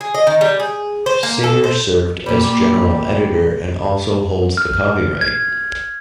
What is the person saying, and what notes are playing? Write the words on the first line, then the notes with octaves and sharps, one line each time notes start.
Singer served as General Editor and also holds the copyright.
G#4
D#5
D#3
G3
G#4
C5
A#3
A4
C5
A#2 G3
F6
G#6